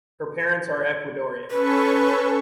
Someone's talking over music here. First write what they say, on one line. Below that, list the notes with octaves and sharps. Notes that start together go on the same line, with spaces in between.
Her parents are Ecuadorian.
C#4 A4 B4 C#6